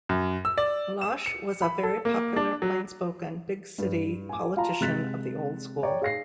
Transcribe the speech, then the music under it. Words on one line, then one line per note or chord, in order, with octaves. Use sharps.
Lausche was a very popular, plain-spoken, big-city politician of the old school.
F#2
E6
D5
E7
C#7
B5
A4
A#3
D4
F#3
G2
G#5 D6
F4 F5 A5 A#5
C3 G#3 F#6 A6 B6
C#5 D5 G5 A#5
G#4 F5 A#6 C7